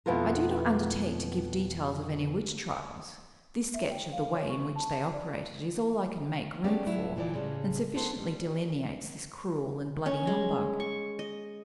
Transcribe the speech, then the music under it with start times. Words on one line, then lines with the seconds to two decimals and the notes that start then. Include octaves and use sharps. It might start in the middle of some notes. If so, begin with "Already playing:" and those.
I do not undertake to give details of any witch trials; this sketch of the way in which they operated is all I can make room for, and sufficiently delineates this cruel and bloody humbug.
0.06 F2 B2 B3 E4 F4 A#4
3.74 E5
3.91 G5
4.12 F5
4.34 C#5
4.50 C#6
4.76 A5
5.14 D5
6.64 A3 B3 C#4 G4 G#4 D5
6.86 A2 F#3 E4
7.16 D2 A#2 E3 F3 D5
7.34 A2 C#3 G3 G#3
7.95 G#3 B3 D#4 A4 A#4 C5
8.20 G3
10.06 C#4
10.27 G#3
10.80 C#6
11.19 D#5